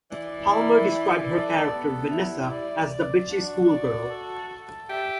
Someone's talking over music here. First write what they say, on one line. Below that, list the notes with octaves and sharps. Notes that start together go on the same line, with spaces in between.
Palmer described her character, Vanessa, as "the bitchy schoolgirl".
E3 D5
E4
D5
A4
A3
G3 B3
E4
D5
D5
D4 F#4
D5
A4
A4
G4 E5